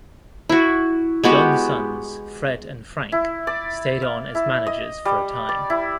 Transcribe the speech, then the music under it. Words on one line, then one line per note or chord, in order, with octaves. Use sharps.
John's sons, Fred and Frank stayed on as managers for a time.
E4 F#4
G#3 B3 F#4 G4
E4
D5
F5
E4
D#5
G3
D5
E4